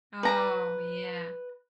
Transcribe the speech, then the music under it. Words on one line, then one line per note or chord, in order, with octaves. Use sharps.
Oh, yeah.
B4 A#5